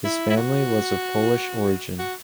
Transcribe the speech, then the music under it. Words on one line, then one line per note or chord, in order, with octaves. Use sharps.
His family was of Polish origin.
E4
E4
F#4
F#4